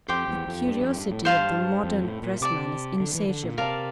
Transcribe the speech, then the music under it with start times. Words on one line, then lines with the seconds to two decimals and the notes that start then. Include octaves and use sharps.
"The curiosity of the modern pressman is insatiable."
0.08 F2 G4 C5 G5 D6
0.28 E2
0.47 F2
0.67 G2
0.81 F2
0.97 G2
1.11 A2
1.25 G2 C5 F5 A5
1.83 F2
2.02 A2
2.22 A#2
2.41 C3 D5 A5 D6
3.00 D3
3.14 E3
3.29 D3
3.44 A#2
3.58 C3 A#4 D5 F5 A5